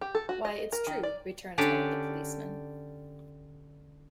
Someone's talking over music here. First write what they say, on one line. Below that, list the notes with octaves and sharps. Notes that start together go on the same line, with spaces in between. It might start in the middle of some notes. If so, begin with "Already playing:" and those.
"Why, it's true," returns one of the policemen.
G4
A4
F#4
D#5
A#4
D#3
D5
D3 C#4 D4 G4 D5